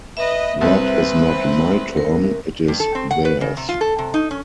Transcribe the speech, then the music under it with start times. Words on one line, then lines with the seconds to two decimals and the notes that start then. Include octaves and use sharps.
That is not my term, it is theirs.
0.17 B4 D#5 E5
0.61 C2 C4 B4
1.97 A#4
2.68 G2
2.80 A4
2.95 C4
3.11 F#5
3.25 B4
3.41 C#3
3.57 C3
3.69 F4
3.81 A4
3.99 C3
4.14 D#4
4.31 C#4